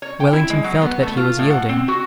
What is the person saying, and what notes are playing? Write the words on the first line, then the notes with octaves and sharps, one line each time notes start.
Wellington felt that he was yielding.
C#5
G5
E4
G#3
F#3
B3
A3
F4
A2
F#5
C4
F#4